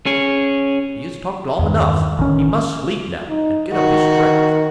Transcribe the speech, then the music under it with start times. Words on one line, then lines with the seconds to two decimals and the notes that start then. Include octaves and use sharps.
"He has talked long enough. He must sleep now, and get up his strength."
0.06 C#4 G#4
1.59 E2 G2 D#3
2.17 A1 D#3 F3 C#4
3.28 D#4
3.73 D#3 F#4